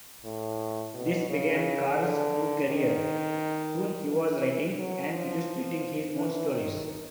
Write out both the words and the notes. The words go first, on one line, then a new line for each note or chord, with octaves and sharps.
This began Carle's true career; soon he was writing and illustrating his own stories.
A2
B2
C#3
D3
D#3
E3
F#3
F3
E3
D#3